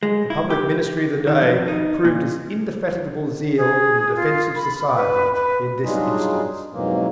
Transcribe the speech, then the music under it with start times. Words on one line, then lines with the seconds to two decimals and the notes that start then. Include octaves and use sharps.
The public ministry of the day proved its indefatigable zeal in the defence of society, in this instance.
0.03 G#3
0.30 E4
0.50 G4
1.27 D#3
1.42 F2
1.68 D#4
2.05 A#2
3.57 G#4
4.16 F4
4.55 B5
4.95 B4
5.35 B4
5.82 F#3 G3 D4 D#4 F4 G#4
6.73 F2 G#2 B2 E3 F#3 A#3